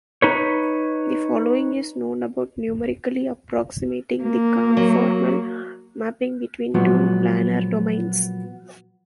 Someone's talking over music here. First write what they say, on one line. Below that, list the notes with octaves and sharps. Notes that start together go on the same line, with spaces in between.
The following is known about numerically approximating the conformal mapping between two planar domains.
D#4 B4 C#5
A#3
F#3
A#2 F3 F#3 G#3 B3